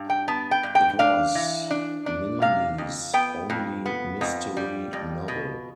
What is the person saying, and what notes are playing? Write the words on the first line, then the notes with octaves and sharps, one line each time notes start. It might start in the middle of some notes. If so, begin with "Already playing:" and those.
It was Milne's only mystery novel.
Already playing: G2
G5
B3 A5
G5
G2
G5
D4 F5
E3
D4
D4
C3 F5
F2
B3 G5
F2
B3
F2
G3
F2
B2